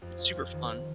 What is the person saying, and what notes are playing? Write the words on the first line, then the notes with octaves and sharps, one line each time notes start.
it's super fun.
F2
F4
F2
D#3